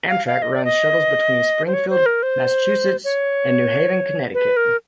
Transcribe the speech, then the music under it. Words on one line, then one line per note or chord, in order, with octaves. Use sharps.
Amtrak runs Shuttles between Springfield, Massachusetts, and New Haven, Connecticut.
F5
F5
D#5
D5
D#5
C5
C#5
C5
A#4
C5
C#5
B4
A#4